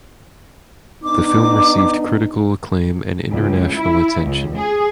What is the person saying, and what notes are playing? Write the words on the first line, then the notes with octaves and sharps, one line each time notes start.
The film received critical acclaim and international attention.
B3 D4 D#4 D6
C#2
E4
C#2
G#4